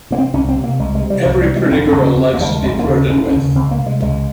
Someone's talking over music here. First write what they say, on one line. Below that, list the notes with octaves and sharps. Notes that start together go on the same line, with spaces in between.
Every pretty girl likes to be flirted with.
C3 A#3
C4
C2 C#4
C4
C3
A#3
C2 G#3
G#3
C3
G3
C2 F3
G3
C3
G#3
C#4
F1 C4
C#4
D#2 C#3
C#4
F1 C4
A#3
D#2 C#3 G3
G#3
F1 G#3
A#3
D#2 C#3
C#4
F1 C#4
C#4
D#2 C#3
C#2 C4
A#3
C3
G#3
C#2 G#3